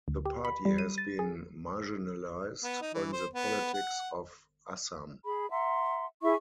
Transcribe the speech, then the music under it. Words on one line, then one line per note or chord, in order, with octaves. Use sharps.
The party has been marginalized in the politics of Assam.
D2
G4
B5
G3
D#7
A6
G#4
B3
D#4
E3
C5
B3
F#5
G#4 B5
E5 F#5 A#5 C6
E4 G#4 E5 C#6